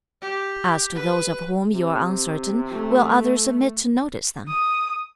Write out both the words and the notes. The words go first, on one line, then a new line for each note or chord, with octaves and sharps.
"As to those of whom you are uncertain, will others omit to notice them?"
G4
B4
C3
A3
D#6